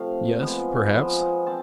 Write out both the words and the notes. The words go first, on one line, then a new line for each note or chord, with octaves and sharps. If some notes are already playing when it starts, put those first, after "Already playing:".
"Yes, perhaps."
Already playing: C3 F3 A3 F5
F3 G#3 B3
F3 G#3 B3
C4 A5